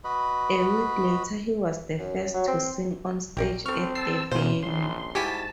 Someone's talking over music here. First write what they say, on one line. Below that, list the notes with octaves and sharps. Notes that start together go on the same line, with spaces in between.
A week later he was the first to sing on stage at the venue.
F#4 B4 D#5 B5
F#2
F#3
C4
A#1 G4 A#4 D5
C4 A4 C#6 F6
A5 E6 C7
E2 B2 C#4 F4 C5
A#1 C6
G#2 G3 E4 F#4 G4 G#5 A5 B6